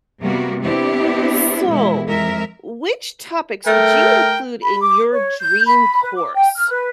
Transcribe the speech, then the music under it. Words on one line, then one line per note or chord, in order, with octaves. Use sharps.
So, which topics would you include in your dream course?
C3 G3 A#3 B3 F#4
B3 C4 D4 E4 G4
B2 E3 G#3 E4
F2 G#3 A#4 E5
A3 A#4 G5
B5
D6
C#5
G6
B5
B4
D6
G5
F6
B4